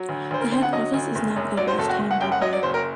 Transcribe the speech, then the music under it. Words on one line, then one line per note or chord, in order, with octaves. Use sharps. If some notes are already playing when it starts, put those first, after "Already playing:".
The head office is now at the West Ham depot.
Already playing: F#3
D2
D2 C5
A#4
D3 C5
F#5
F#3 D#5
D2
F#1
F#2
F#3 D5
C5
F#1 A4
F#4
F#1
F#5
F#2 G5
F#5
F#3 D#5
D5
F#1 C5
A#4